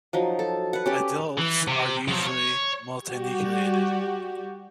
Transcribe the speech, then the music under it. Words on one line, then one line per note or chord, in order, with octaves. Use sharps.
Adults are usually multinucleated.
F3 F#3 D#4
A4
B4 F#5
C#4 G4 D5
E3
C3
F3 F#3
C#5
G3 F#4 G4